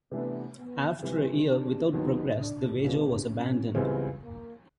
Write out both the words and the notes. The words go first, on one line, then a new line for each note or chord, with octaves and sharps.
After a year without progress, the wager was abandoned.
C3 E3 A3 B3 D4
B3
C3 E3 G3 C4
D4
D#2 D#3 F#3 B3 D#4
D4
C#2 B2 G#3 C#4 D4 F4
C#4
C#2 C#3 E3 G3 B3 C4
A#3